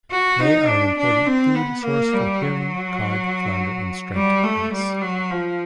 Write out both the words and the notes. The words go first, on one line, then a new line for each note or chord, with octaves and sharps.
They are an important food source for herring, cod, flounder, and striped bass.
F#4
D#4
D4
D4
C4
B3
A#3
G3
F#3
G3
A3
G3
F#3
F3